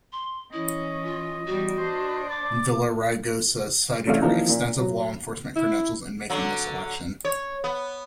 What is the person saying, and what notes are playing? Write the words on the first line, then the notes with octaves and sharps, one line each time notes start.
Villaraigosa cited her "extensive law enforcement credentials" in making the selection.
C6
E3 C#4 E4 D#5
F4
E2 G3 F#4
D4 C5
D5 D6
A1 C3 A3 D5 F5
G#1 E3 F3 A#3 D#4 A#5
A#2
F#3
E4
D3 F#3
C#5
B3